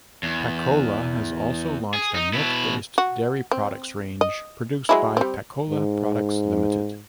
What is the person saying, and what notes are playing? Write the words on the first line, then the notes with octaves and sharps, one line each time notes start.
Pakola has also launched a milk-based dairy products range produced by Pakola Products Limited.
E2
G#4
D#4
B2 E4
F#4
C4
D#5
F#3 G#3 E4
G3 C4
G#2